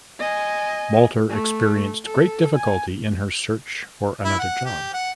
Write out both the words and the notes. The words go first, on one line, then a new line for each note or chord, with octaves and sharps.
Walter experienced great difficulty in her search for another job.
D#5 G#5
A3
A4
G#5
E4
F#5
G4
F#5